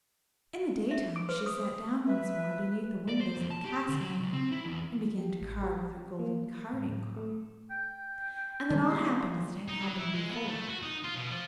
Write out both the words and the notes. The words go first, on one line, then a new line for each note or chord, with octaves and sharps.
In the daytime she sat down once more beneath the windows of the castle, and began to card with her golden carding-comb; and then all happened as it had happened before.
E5
D6
B4 C5
D#6
B4 E5
D5
C5
F2
A5
G4
D3
F#3
C#2
C4
E4
E2
G4
A1
G4
A#3
A2
A3
G5
G#2 D#3 G3 D#4 A5
E2 A#2 G4 C6
D#4
F#3
E4
G#3
B3
A3
F#4
D#4
F4
B2
F3